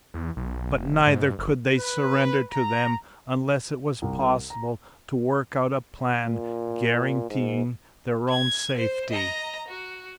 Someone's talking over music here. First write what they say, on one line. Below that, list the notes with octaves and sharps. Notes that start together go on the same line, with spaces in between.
But neither could they surrender to them unless it was possible to work out a plan guaranteeing their own safety.
E2
B1
F1
F1
G#2
G2
F#1
B4
A#5
C2
A#5
A#2
G#2
G#6
C5
D#5 A#5
F#4